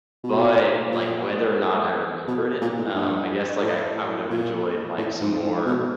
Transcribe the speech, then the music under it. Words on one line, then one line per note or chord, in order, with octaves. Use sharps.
but, like, whether or not I remembered it, um, I guess, like, I I would have enjoyed, like, some more
B2
A#2
B2
A#2
A2
G2
A2
A#2
A2
G#2
G#2
B2